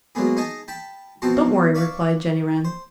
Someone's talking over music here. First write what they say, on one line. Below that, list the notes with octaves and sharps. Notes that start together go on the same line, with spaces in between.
"Don't worry," replied Jenny Wren.
F#3 G#3 A#3 B3 G#4
D#4 G#4 D#5 G#5 A5
G5 A5 B5
B2 F3 C4 F#4 A5
C#5 D5 E5 F5 C#6 D6
C5